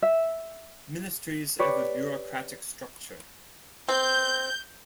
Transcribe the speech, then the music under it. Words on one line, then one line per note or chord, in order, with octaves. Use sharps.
Ministries have a bureaucratic structure.
E5
G4 B4 C#5 D5
C4 G6